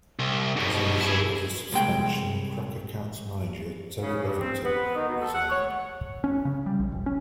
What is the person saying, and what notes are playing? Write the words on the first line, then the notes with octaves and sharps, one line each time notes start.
As a result of the suspension, Cracker-Cats manager Terry Bevington resigned.
C2
G#2 B2
E4 G#4
C2 G#3 G5
C#3
G2
C4
B3
D#3
B2
A4
F#5
C#5
C#4
C#3
G3
A#1
E1
C#4